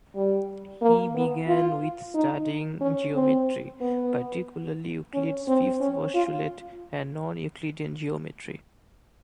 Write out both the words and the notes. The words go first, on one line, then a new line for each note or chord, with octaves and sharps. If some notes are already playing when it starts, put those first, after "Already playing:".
He began with studying geometry, particularly Euclid's fifth postulate and non-Euclidean geometry.
G3
A#3
B3
F4
D#4
C#4
C4
B3
C#4
C4
C#4
F4